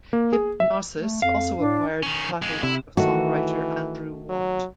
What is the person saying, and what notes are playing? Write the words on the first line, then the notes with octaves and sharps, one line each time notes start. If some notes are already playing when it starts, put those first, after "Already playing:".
Hipgnosis also acquired the catalogue of songwriter Andrew Watt.
A#3
G#4
E5
A3
F2 F5
A2 D4
D#3 C#4
F2 G#3
C3 E4
D#3 E3 A3 F#4
F#3